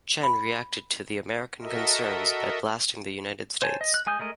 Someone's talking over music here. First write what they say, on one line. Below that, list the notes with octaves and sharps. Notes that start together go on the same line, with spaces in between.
Chen reacted to the American concerns by blasting the United States.
B5
F#4 A4 A#4 D#5 E5
C5 C#5 G#5 A5
D#5
F#6
G#3 G#5 D#6 G6
G#3 A3 A#4 D#5